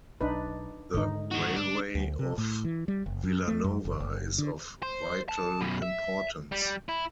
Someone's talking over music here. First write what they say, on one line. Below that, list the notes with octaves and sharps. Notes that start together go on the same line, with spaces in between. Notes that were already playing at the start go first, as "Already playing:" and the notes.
The Railway of Vilanova is of vital importance.
B1 D4 D#4 B4
G#2 D3 G#3 D#4
D#3 F#4
D4
D2
C3
A2
E3
G3
F#1
F#2
A3
F#2
F#1
F#1
D3
C5
A5
F#2 B2
E5
G3
E4